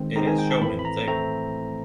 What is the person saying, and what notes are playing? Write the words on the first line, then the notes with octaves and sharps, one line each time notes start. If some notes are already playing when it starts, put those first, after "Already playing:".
It is shown in the table.
Already playing: D#3 G#3 C4
D#3 G#3 C4 A#5
G#5
G5
A5
A2 E3 A3 C4 B5
B5
A#5
A3 C4 A#5